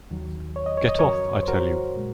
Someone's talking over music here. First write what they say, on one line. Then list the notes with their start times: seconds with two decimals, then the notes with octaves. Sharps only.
Get off, I tell you.
0.10 D#2 D#3 F#3
0.56 C#5
0.66 D#5
0.77 C#5
0.89 D#5
0.99 F2 C#3 F#3 A#4 C#5
1.43 C5
1.48 F#4 A#4
1.95 A#2 G#3